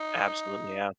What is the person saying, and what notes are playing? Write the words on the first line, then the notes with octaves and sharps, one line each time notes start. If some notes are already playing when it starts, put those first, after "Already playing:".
Absolutely, yeah.
Already playing: D#4